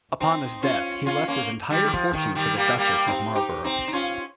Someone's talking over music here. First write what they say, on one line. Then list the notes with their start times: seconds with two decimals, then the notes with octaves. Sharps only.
Upon his death, he left his entire fortune to the Duchess of Marlborough.
0.20 C4 D#4
0.63 C#4 F4
1.06 C#4 F4
1.28 A#3 C#4
1.70 D#3 G3
1.84 D#3
1.93 F3
2.13 D#3
2.35 D#3 G3
2.56 G3 A#3
2.78 G3 A#3
3.07 C4 D#4
3.35 D#4 G4
3.64 C4 D#4
3.88 D#4
3.93 C#4 F4